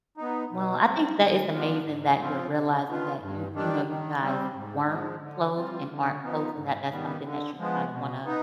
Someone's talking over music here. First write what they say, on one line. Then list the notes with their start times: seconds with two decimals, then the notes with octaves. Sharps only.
Well, I think that it's amazing that you're realizing that you you know, you guys weren't close and aren't close, and that that's something that you kinda wanna
0.17 B3 D#4
0.52 B2
0.86 G3 C4
1.19 D3
1.52 F3 B3 D4 F4
1.85 G#2
2.20 F3 C4 F4
2.54 C3
2.87 D#3 B3 F4
3.21 G2
3.54 D#3 G3 D4
3.88 D#3
4.21 G3 C4
4.55 G#2
4.88 F3 G#3
5.22 D3
5.57 G3 C4 F4
5.90 D3
6.24 F3 B3 D#4
6.57 G#2
6.91 D#3 G3 B3
7.24 D3
7.58 F3 G#3 B3
7.91 B2
8.25 B3 D#4